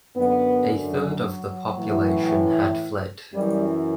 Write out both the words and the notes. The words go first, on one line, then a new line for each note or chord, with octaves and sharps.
A third of the population had fled.
F#2 D3 B3
F#3
A2 E3
F#2 E3 G3